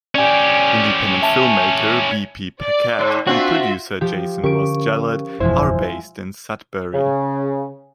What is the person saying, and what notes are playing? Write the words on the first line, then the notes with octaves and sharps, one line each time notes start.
Independent filmmaker B. P. Paquette and producer Jason Ross Jallet are based in Sudbury.
C#4 G4 D5 G#5
E5 A5
D5
G#2
C4 D4 F4 F#4 E5
F3 G4
D3 C#4 G4 A#4 C#6 D7
F#1 E2 B2 F3 G#3 E4 C5
C#3